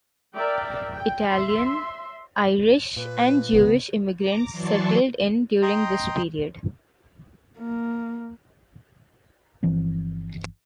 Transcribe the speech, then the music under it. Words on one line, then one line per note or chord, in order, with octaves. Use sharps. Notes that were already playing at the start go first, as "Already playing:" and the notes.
Italian, Irish and Jewish immigrants settled in during this period.
A#4 D5 E5 G5
G5
E5 C6
A#2 B4
C2 C#3 B3
A#5 D6
E3 F#3 D5 A5 C6 C#6
D#5 G5 A#5 C6
A#3
G1 E3 F3 C4